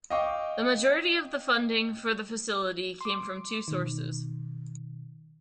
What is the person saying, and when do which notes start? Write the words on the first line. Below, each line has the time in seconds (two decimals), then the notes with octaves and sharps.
The majority of the funding for the facility came from two sources.
0.10 D#5 F5 G5 C#6 D6
3.01 C6 D6
3.68 B2 D#3